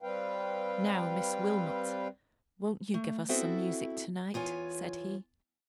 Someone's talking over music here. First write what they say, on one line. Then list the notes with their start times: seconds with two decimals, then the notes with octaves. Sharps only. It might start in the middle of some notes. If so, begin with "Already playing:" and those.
'Now, Miss Wilmot, won't you give us some music to-night?' said he.
0.02 G3 C4 B4 F5 G5
2.94 A3
3.29 B3 C4 E4 F#4 A4 E5
4.34 E2 F4 C#5 G#5